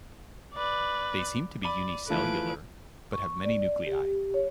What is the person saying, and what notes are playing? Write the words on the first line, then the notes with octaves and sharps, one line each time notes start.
They seem to be unicellular, but have many nuclei.
B4 D5
D5 B5 D#7
E3 F3 A3 B4 D7
C#6
D5
G4
C#5